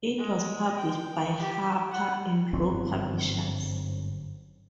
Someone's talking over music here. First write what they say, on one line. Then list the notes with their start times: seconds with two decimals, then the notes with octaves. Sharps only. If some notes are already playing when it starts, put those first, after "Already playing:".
It was published by Harper and Row Publishers.
0.18 G#3
0.76 G5
1.38 G4
1.91 F#5
2.53 G1 G#2 F#3 C4